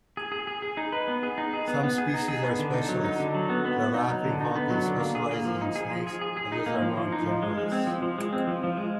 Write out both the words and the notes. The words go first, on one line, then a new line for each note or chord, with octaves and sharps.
Some species are specialists, the laughing falcon specialises in snakes, others are more generalist.
G#4
G#4
G#4
G#4
D#4
B4
B3
G#4
D#4
G#4
B3
B3
G#4
D#4
G#4
B3
D3
D#4
F#3
D#4
D3
F#3
B3
B3
B3
D#4
F#3
D3
D#4
B3
F#3
D3
A#3
G#4
A#3
F3
D#4
G#4
F3
G#4
G#4
G#4
D#4
A#3
F3
F3
D#4
F3
G#3
G#3
C4
F3
F3
G#3
C4
F3
F3
G#3